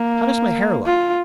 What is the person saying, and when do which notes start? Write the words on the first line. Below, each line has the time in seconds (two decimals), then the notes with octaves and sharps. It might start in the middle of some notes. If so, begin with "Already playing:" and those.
How does my hair look?
Already playing: A#3
0.85 F4